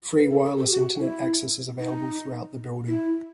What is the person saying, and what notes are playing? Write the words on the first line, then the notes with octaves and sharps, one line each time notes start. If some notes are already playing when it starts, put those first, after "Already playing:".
Free wireless Internet access is available throughout the building.
B4
A4
A4
G4
F#4
E4
D#4
E4